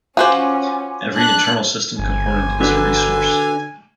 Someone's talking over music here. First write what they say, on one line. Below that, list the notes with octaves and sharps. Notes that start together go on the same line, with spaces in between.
Every internal system component is a resource.
C#4 F4 F#4 C5 G#5 C6 D6
D4 F#6
G1 G#5
D3 D4 F#4 B4